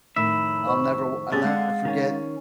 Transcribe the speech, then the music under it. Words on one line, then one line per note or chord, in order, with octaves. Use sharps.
I'll never w I'll never forget
F2 A2 D#3 E5 B5
C5 C#6
G2 D3 C#4 G4 G#4 A6
G#3 C4 F5 F#5
D#3 C#4